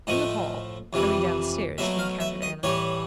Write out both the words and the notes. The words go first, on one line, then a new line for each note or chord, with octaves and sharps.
In the hall, coming down the stairs, he encountered Anna.
A2 F3 A3 D#5
F2 C3 E3 G3
B2 F#3 A3 E5
F5
E5
D#5
A2 E3 G3 C#5